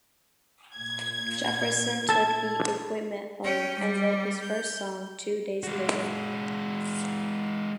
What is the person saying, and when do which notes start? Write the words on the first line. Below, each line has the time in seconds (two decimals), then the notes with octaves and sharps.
Jefferson took the equipment home and wrote his first song two days later.
0.76 A#2 G#6
2.09 A4 A5
3.43 C#4 G5
3.79 G3
4.42 G6
5.63 G#3 F#4